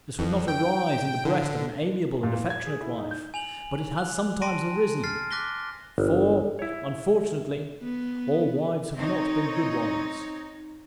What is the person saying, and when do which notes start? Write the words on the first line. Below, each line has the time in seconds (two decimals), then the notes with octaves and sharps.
This would not arise in the breast of an amiable and affectionate wife, but it has sometimes arisen; for, unfortunately, all wives have not been good ones.
0.19 F2
0.48 G5
1.25 D3
2.23 A#2
2.36 E2
2.50 G#6
2.66 G#4
2.81 E4
2.98 D#4
3.11 G6
3.34 G#5 F7 F#7
3.98 F#6
4.42 A5 C6 A#6 D7 D#7
5.04 F6 A6 C7
5.31 D6 F#6 A#6 B6 G7
5.98 G1
6.59 E4 C#5
7.82 B3
8.97 C4 D#4 C#5